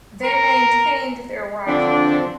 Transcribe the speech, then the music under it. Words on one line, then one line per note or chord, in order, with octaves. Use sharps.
They maintained their rivalry.
A#4
D3 F3 C4 D4